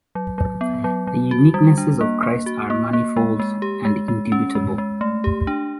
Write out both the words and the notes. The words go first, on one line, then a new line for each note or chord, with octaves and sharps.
The uniquenesses of Christ are manifold and indubitable.
F#3
F#3
B3
F#3
F#3
F#4
G3
D4
A#3
A#3
F#4
A#3
A#3
G#3
G#3
G4
G#3
G#3
C#4
G#3
G#3
A3
G4
D4